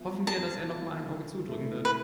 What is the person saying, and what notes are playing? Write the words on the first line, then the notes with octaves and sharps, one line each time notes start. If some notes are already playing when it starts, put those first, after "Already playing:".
Hoffen wir, dass er nochmal ein Auge zudrücken wird.
Already playing: F3 B3 F4 B4 E5
F3 A5
B3 F4 B4 E5
D3
A3 E4
B4